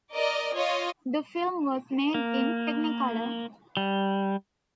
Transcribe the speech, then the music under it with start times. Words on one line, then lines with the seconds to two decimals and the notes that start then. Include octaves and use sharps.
The film was made in Technicolor.
0.13 A#4 D5 D#5
0.53 F4 C#5 D#5
2.14 A#3
3.77 G3